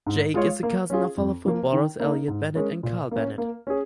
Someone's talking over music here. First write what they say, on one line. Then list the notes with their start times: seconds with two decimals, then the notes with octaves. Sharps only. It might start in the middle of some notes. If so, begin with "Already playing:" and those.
Jake is the cousin of fellow footballers Elliott Bennett and Kyle Bennett.
0.06 G#2
0.34 G#3 F4 C#5 F5
0.63 A#3
0.90 C#4 F4 G#4
1.17 F2
1.45 F3 A#3
1.73 D#3
2.00 A#3 D#4
2.28 G#2
2.55 G#3 C#4 A#4
2.83 A#2
3.11 A#3 C#4
3.38 A#3
3.67 C#4 G#4